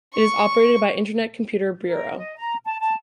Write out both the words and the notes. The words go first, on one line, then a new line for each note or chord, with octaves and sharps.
It is operated by Internet Computer Bureau.
C#6
A#4
D#5
A#5
A5
A5